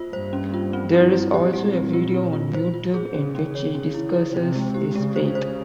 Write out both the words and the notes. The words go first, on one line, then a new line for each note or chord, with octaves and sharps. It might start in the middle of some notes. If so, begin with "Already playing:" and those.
There is also a video on YouTube in which he discusses his faith.
Already playing: A#3 F4 C5
G2 C5
C#4
F4
C4
E4
G3
A#2 G4
G3
C4
F4
C4
F4
C5
F4
G#4
C#3 C#4
C#4
C#5
C#3 C#4
E4
E4
C3 C5
G#3
G4
C#3 G#3
C5
C5